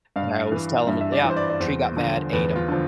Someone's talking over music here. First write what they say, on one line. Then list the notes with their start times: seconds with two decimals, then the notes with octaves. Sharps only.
and I always tell him, "Yup, tree got mad, ate 'em"
0.16 G2 F5
0.52 E3
0.87 G2 E5
1.01 E5
1.12 D5
1.24 E3
1.30 C5
1.36 D5
1.50 D5
1.60 E2 C5
1.97 D3 F3
2.32 E2 B4
2.56 F4
2.68 D3 F3